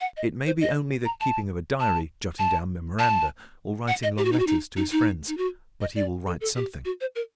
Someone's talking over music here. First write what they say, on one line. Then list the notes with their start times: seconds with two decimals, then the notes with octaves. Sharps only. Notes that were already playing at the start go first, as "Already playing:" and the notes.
It may be only the keeping of a diary, jotting down memoranda or writing long letters to his friends, but he will write something.
0.01 F#5
0.17 D#5
0.46 C5
0.61 D#5
1.05 A#5
1.21 A5
1.80 A5
2.39 A5
2.99 A5
3.88 F#5
4.03 D#5
4.18 G4
4.25 F#4
4.32 D#4
4.39 F#4
4.47 D#4
4.77 D#4
4.92 D#4
5.28 D#4
5.37 F#4
5.81 D#5
5.96 D5
6.26 A4
6.41 A4
6.56 G4
6.85 F#4
7.01 C5
7.16 A#4